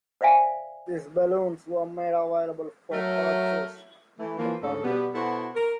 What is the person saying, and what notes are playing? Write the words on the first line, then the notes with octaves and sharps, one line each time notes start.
These balloons were made available for purchase to the public.
C5 D5 E5 F5 G#5
F#3 A3 A#4
E3 A3
E3 F3 A#3
D2 G#2 C#3 C#4 A4
B2 G3 B3
B2 E4 F#4 A4 C5 F#5
A#4